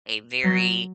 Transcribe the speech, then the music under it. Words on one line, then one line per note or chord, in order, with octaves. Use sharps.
a very
F#3